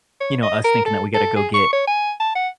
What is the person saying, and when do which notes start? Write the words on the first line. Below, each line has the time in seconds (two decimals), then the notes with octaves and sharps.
you know, us thinking that we gotta go get,
0.20 C#5
0.43 D#5
0.64 A#4
0.86 A4
1.14 A4
1.36 G#4
1.54 C#6
1.73 C#5
1.87 G#5
2.20 A5
2.35 F#5